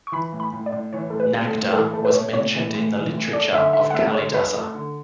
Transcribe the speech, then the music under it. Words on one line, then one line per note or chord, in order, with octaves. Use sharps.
Nagda was mentioned in the literature of Kalidasa.
C#6
E3 B5
A2
B5
A2
D5
A2
E3 C#5
A2 A4
B4
A2
A4
A2
E3 A4
A3 A4
B4
A3 C#5
A2 C#5
E3
A2
E3
A2
A3 D5
D3 E5
D3 E5
F#5
A3 E5
D3 C#5
F#3 B4
A3
D3